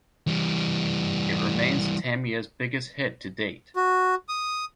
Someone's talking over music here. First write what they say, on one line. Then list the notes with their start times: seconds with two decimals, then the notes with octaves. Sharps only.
It remains Tamia's biggest hit to date.
0.27 E3 G3
3.76 F#4
4.29 D#6